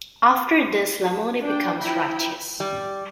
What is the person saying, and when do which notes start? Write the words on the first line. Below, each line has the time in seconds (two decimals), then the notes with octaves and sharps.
After this, Lamoni becomes righteous.
1.43 D4 G5
1.81 F3 E4 G5 A#5 B5
2.60 G3